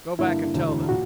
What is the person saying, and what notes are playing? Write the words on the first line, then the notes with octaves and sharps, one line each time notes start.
Go back and tell them.
G2 D3 A#3 E4
E1 D2 D3
A#2 F#4